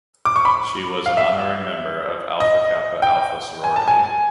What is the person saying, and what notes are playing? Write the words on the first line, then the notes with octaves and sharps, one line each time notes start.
She was an honorary member of Alpha Kappa Alpha sorority.
D6
C#6
B5
F5
E5
D#5
G5
G#5
A5
G#5